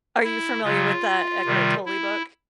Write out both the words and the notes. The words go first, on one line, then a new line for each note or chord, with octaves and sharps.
are you familiar with that Eckhart Tolle book?
E4
C#3 F#3 F4
C3 D#3 G3
E4